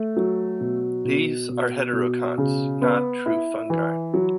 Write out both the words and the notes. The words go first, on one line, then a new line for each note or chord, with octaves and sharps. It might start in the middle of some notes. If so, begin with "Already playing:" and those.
These are heterokonts, not true fungi.
Already playing: A3
F#3
B2
B2
B2
B2
C#3
B3
E4
E3
F#3